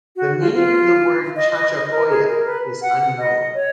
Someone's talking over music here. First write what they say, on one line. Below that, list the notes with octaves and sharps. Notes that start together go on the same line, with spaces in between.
The meaning of the word "chachapoya" is unknown.
F#4
F4
F4
D#5
D#5
D#5
A#4
G#4
A#4
B4
F#5
D#5
C#5